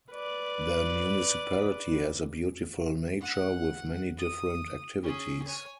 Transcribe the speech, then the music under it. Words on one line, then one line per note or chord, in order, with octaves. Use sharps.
The municipality has a beautiful nature with many different activities.
B4 D5
F#5
D#6
C#4 G#4
C#5 G#5